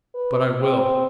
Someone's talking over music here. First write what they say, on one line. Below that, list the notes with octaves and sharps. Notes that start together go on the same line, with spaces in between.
But I will.
B4
C4